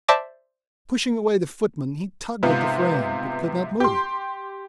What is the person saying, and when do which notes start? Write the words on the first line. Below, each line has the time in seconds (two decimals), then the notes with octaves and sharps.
Pushing away the footmen he tugged at the frame, but could not move it.
0.08 C5 D5 E5 A5 D6 A#6
2.43 G#2 C3 B3 F4
3.80 G4 C6